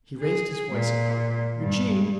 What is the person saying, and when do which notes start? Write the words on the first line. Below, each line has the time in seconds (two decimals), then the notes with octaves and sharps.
He raised his voice and called 'Eugene!
0.21 G#4
0.72 A#2
1.61 G2